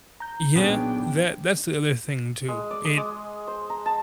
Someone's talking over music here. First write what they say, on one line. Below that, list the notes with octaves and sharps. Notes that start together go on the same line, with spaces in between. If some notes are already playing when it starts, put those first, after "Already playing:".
Yeah, that that's the other thing too, it
A#5 G6
B1 A#2 B3 C#4 D4 G#4 G5
G#3
D5
D#6
G#3
C5
A#5
A5